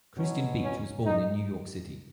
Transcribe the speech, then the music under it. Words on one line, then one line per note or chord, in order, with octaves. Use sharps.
Christian Beach was born in New York City.
B2 F#3 C#4
C#4
D#4